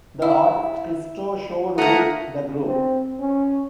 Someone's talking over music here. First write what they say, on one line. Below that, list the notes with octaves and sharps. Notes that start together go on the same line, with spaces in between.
The artist Christo showed with the group.
E4
A3 A#3 F#5 A#5 D#6
C4
C#4